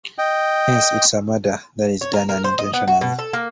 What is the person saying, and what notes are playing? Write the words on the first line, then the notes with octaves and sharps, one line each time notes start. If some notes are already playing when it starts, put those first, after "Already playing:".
Hence it is a murder that is done unintentionally.
D#5 G5
C#5
A#4
A#4
C5
D#5
B3
F#4
B2
A4
A#3